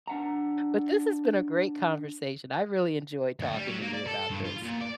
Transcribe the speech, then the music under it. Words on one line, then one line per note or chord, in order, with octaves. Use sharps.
But this has been a great conversation. I really enjoyed talking to you about this.
D4 F#5 A#5
D2
G3
F#3
A#3
D5
A4
G2
F4
A#2
D5